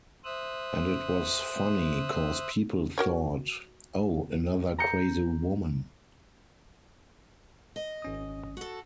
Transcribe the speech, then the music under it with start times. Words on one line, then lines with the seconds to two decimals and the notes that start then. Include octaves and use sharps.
And it was funny, 'cause people thought, 'Oh, another crazy woman.
0.25 C5 E5 D#6 E6 F#6
2.98 F#4 A#4 C#5
4.78 A#5 G6 C#7
7.76 D#5
8.02 G#1 C#4 D#6
8.57 F#4 A4